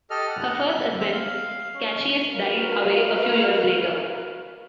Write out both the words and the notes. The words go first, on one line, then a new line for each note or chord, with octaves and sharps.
Her first husband, Cassius, died away a few years later.
G4 A4 D#5 F6
F#5
E5
C4 E5
F5
C#4
F#4 A#4 B4 F5